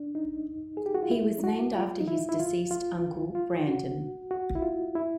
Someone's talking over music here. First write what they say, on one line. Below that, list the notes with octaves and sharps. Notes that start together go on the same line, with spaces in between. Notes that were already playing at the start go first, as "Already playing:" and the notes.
He was named after his deceased uncle, Brandon.
Already playing: D4
D#4
G#4
G4
F#4
F4
E4
F#4
F4
D#4
E4
E4
F4
F4
F4
F#4
F#4
E4
F4
E4